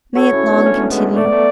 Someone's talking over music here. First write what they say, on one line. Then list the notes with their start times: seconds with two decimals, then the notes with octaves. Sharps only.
May it long continue!
0.15 F#4 A4 C#5
0.32 C#4 E4
0.49 B3 D4
0.66 A3 C#4
0.92 G#3 B3
1.16 A3 D5
1.25 B3
1.32 A3